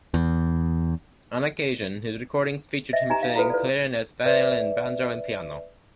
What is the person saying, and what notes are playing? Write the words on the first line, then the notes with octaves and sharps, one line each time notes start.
On occasion his recordings have featured him playing clarinet, violin, banjo and piano.
E2
D#5 E5
D#4 G4 G#5 A#5
F5
E4 F4 A4 B4
B4 D5
B4 D5 E5